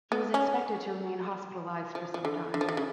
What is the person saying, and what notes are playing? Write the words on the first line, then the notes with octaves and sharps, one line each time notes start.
He was expected to remain hospitalised for some time.
B3
C#4
F3
F3
D3
D3
F3
D3
C#3